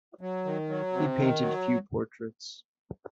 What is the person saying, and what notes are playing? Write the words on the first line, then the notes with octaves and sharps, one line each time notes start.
He painted few portraits.
F#3
D#3
F#3
C3
D#3
F#3